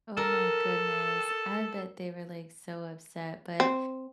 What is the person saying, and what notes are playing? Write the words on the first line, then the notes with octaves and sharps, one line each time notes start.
Oh my goodness. I bet they were, like, so upset, but,
A4 A#4
C4